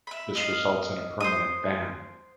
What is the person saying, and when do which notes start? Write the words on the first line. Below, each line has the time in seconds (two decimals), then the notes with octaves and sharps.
This results in a permanent ban.
0.07 E5 B5
0.35 D#5 F5
1.20 C5 D#6